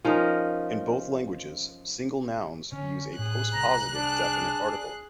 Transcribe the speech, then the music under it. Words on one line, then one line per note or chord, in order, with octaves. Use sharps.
In both languages, single nouns use a postpositive definite article.
F3 C#4 D#4 A#4
D3 C#4
A2 A3 G#4 F#6
C2 A#5
D4 G#4